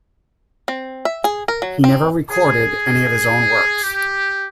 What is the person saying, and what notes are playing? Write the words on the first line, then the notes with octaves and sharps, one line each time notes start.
He never recorded any of his own works.
C4
E5
G#4
A#4
F#3
C4
G#4
G4